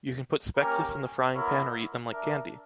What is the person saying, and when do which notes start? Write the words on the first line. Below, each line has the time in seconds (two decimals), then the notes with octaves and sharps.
You can put Spekjes in the frying pan or eat them like candy.
0.56 A#3 C#4 G4 A#4
1.33 B3 E4 A#4 C#5
2.10 D4 A#4 E5